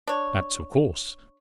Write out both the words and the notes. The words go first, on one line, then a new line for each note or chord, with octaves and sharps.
That's of course.
D4 C#5